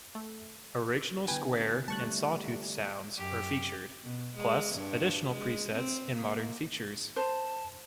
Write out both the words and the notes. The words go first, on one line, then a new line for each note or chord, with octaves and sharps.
Original Square and Saw tooth sounds are featured, plus additional presets and modern features.
A3
D3 B3 E4 B4 G5 G#5
G3 A3 A5 C#6 F#6
G4
F#2 G4
B2
G#3
G2
G#3
C4
A#3
C5 A5